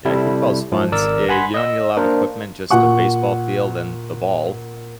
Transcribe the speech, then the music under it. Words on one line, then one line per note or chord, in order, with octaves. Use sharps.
Yeah, kickball's fun s Yeah you don't need a lot of equipment, just a baseball field, and the ball,
C3 G3 E4 A4
G#2 F3
G#1 A#4 D5 E6
F#5 G#5 B5 C6
D#5 E6
A#3 D4 A#4 C5
A#2 F#5 C#6